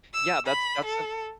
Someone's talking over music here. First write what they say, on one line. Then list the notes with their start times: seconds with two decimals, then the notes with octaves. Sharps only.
Yeah, that's that's an
0.14 E6
0.47 B5
0.85 A4